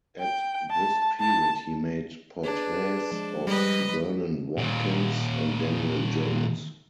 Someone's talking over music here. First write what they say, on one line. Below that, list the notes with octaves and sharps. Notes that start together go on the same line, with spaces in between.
At this period he made portraits of Vernon Watkins and Daniel Jones.
G5
A5
A5
D4 G#4 B4 A5
F3 G#3
G3 B4 D#5
D#2 A#2